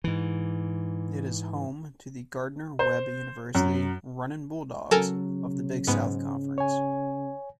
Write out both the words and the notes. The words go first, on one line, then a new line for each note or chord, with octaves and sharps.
It is home to the Gardner-Webb University Runnin' Bulldogs, of the Big South Conference.
G#2 E3
C5
F#2
C#3 F#3 A4 A#4 G#5
G#2 B3
C#5 G#5